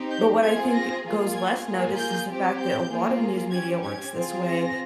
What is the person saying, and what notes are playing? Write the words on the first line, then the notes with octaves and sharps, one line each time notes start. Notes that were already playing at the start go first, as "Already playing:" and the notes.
but what I think goes less noticed is the fact that a lot of news media works this way.
Already playing: C4 D#4 G4
G6
C4 F4 G#4 G#6
A#6
A#3 F4 G#4
G#6
A#3 F4 G#4
G6
C4 G4
G6
A#3 F4 G#4
C#4 G4 G#6
G#6
C4 F4 G#4
A#6